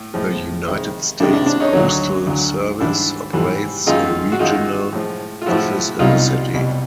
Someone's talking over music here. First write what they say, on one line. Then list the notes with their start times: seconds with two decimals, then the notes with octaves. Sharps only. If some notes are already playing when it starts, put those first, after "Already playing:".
The United States Postal Service operates a regional office in the city.
Already playing: A2
0.14 A2 F3 G#3
0.68 F2 C3 D#3 G#3
1.20 F2 C3 D#3 G#3 D4
1.33 D4
1.46 D4
1.60 C#4 D#4
1.73 D2 D3 F#3
2.27 D2 D3 F#3
2.80 G#2 E3 G3 D4 E4
3.33 G#2 E3 G3
3.87 F#2 D#3 G#3 D#4 F4
4.32 F#4
4.39 F#2 D#3 G#3 D#4 F4
4.93 A2 F3 G#3
5.42 F4
5.46 A2 F3 G#3 E4 F#4
5.99 C2 B2 G3 D#4 F4
6.54 C2 B2 G3